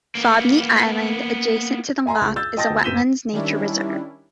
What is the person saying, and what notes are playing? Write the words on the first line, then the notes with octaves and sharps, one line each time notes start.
Fobney Island, adjacent to the lock, is a wetlands nature reserve.
A#3 B3
E5 G#5 A#5 C6
C#2
E6 G6 A6
D#5 G5 A5 D#6 A6 A#6
D2
F#1 G6 B6 D#7 E7 G7
D#3 G3 C#4 D4 E4